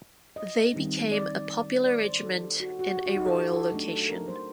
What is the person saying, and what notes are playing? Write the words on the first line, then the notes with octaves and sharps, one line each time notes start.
They became a popular regiment in a royal location.
D#5
D#3 G3 C4 D#4
D5
D5
C5
F#3 A3 D#4 A4
G4
F#4
F#4
G4
F#4
D#4
A4
G4
A4
F#3 A3 D4
A4
A#4
C5